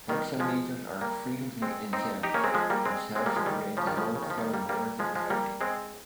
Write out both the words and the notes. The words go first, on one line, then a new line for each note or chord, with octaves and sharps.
Hexameters are frequently enjambed, which helps to create the long, flowing narrative of epic.
D#3 G3
F3 G#3
G3 A#3
G#3 C4
C4 D#4
D#4 G4
A#3 C#4
G#3 C4
F3 G#3
G3 A#3
G#3 C4
G#3 C4
G3 A#3
F3 G#3
D#3 G3
C#3 F3
D#3 G3
C#3 F3
C#3
D#3
F3
D#3 G3
G3 A#3
G3 A#3
F3 G#3
F3 G#3
G3 A#3
G#3 C4